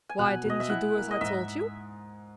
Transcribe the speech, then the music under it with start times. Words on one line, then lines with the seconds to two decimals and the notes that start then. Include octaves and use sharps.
"Why didn't you do as I told you?"
0.09 G#5
0.19 B2 F#5
0.45 B2 D#5
0.60 E5
0.70 E4 F#5
0.96 A#3
1.11 D#5
1.21 G#2 E5